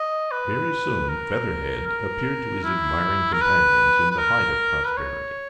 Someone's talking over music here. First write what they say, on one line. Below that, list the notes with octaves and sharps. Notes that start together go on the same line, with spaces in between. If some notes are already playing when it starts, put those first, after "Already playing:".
Very soon Featherhead appeared to his admiring companions in the height of prosperity.
Already playing: D#5
B4
A#4
A#4
E4
A#4
B4
B4
A#4
B4
C#5